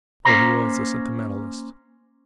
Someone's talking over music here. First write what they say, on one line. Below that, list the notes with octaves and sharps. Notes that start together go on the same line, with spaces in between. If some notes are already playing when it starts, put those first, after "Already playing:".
Well, he was a sentimentalist.
A#3 C#4 C5 A#5